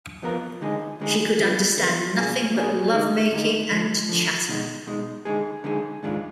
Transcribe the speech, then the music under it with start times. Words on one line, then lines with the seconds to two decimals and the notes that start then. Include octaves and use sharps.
She could understand nothing but love-making and chatter.
0.22 F2 F3 B3 F4 A#4
0.61 D2 D3 G#3 D#4 G#4
1.00 D2 D3 G#3 D#4 G#4
1.38 D3 F3 B3 F4
1.77 D3 F3 B3 F4
2.16 B2 A#3 D4 G#4
2.54 B2 A#3 D4 G#4
2.93 D3 G#3 D#4
3.32 D3 G#3 D#4
3.70 D2 D3 F3
4.09 D2 D3 F3
4.48 B2 G#3 D#4
4.87 B2 G#3 D#4
5.25 D3 G#3 D#4 G#4
5.64 D3 G#3 D#4 G#4
6.03 G#2 D#3 G#3 D4 F4